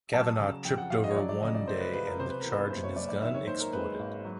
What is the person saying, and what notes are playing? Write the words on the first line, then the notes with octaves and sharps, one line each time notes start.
Kavanagh tripped over one day and the charge in his gun exploded.
F#3 A5
C#3
F2 G5
F#5
F2 F5
D#5
C#5
F#3 D5
D5
C#3 D#5
D5
A3 C5
B4
C#2 B4
A#4
C3 C5
B4
E2 A#4
B4
F#1 C5
C#5
F#1 D5
D5
D#3 E5
C#5
G#2 C5
A#4
G#3 B4
G#1
F#3